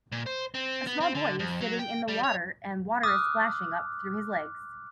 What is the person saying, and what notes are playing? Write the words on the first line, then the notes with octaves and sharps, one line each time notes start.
A small boy is sitting in the water and water is splashing up through his legs.
A#2
C5
C4
B3
C4
D3
F2
F#3
G5
G3
C#5
D6 D#6 F6 F#6